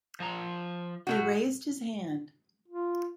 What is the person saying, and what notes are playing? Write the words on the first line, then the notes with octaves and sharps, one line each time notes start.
He raised his hand.
F3 A#5
A2 C3 F#4
F4